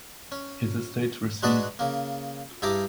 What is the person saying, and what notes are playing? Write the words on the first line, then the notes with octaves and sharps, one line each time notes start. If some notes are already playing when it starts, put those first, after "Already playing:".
His estates were seized.
C#4
G#3 D4 F#4 G#4 B4 D5
C#3 A#3
G2 E4 G4 G#4 A#5 D6